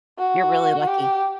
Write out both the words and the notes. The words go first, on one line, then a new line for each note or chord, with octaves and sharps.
You're really lucky.
F#4
G4